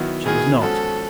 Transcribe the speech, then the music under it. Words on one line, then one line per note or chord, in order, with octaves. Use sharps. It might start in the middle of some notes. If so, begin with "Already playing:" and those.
She was not.
Already playing: D#3 F#3 B3 E4
D#3 F#3 B3 E4 G#4
F3 G#3 C#4 F#4 A4